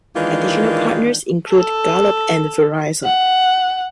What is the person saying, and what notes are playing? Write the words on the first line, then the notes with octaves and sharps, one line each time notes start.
Additional partners include Gallup and Verizon.
D#3 E3 G#3 A#3 D4 F4
A4
F#5